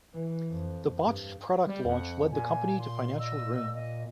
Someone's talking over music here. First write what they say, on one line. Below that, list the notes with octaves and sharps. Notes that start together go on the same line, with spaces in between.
The botched product launch led the company to financial ruin.
E3
F2
G2
G3
F2 F#5
A#2 G#5
C6
D#5 E6
D#5